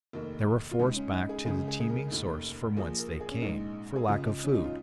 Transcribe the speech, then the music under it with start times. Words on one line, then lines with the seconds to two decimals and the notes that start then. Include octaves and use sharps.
They were forced back to the teeming source from whence they came, for lack of food.
0.13 F1 D#2 D#3 A#3
0.71 F4
0.79 C#2 C#3 G#3 D#4
0.96 C#4
1.12 D#4
1.29 G#4
1.45 C#2 C#3 G#3 G#4
1.68 G#4
1.80 G#4
1.89 A#4
2.12 F1 D#2 D#3
2.77 A#1 A#2 F3 G#4
2.99 A#4
3.20 G#4
3.31 C#4
3.42 A#1 G#2 G#3 D#4
3.96 G#4
4.08 C#2 C#3 G#3 F4
4.44 C#4
4.54 D#4
4.64 F4